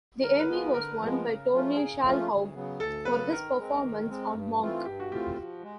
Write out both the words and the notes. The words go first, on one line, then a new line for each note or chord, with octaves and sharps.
The Emmy was won by Tony Shalhoub for his performance on "Monk".
D3 A#4
B4
F3 G#3 B3
D3 A#4
F3 G#3 B3
C#3
F3 A3 C#4 F4
C#3 G#4
F3 A3 C#4 F4
D2
C#3 F#3 B3
D2 A4
C#3 F#3 B3 B4
D#3 A#4
G#3 C4
D#3
G#3 C4
G2
E3 A3 C4 F4
G2 G4
F#4
E3 A3 C4 F4 G4
F3
G#3